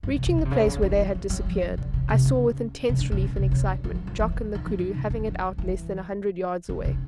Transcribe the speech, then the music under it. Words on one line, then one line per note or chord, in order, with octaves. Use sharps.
Reaching the place where they had disappeared, I saw with intense relief and excitement Jock and the koodoo having it out less than a hundred yards away.
G2
C3
C#3
D3
C3
C#3
D3
D#3
E3
F3
F#3
F3
D#3
D3
C#3
C3
C#3
C#3
D3
C#3
C3
C3
C#3
D3
F3
F#3
F3
E3
D3
D#3
E3
D#3
C#3
D#3
F3
E3
D#3
C#3